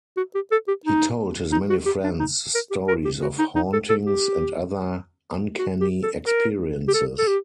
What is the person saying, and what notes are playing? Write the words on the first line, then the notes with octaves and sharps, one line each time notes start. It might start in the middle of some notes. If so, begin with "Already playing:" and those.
He told his many friends stories of hauntings and other uncanny experiences.
F#4
G4
A4
G4
D#4
D#4
F#4
G4
D4
D#4
A#4
G4
A#4
G4
F#4
D#4
D#4
A4
A4
G4
F#4
G4
A4
A#4
G4
A4
A4
G4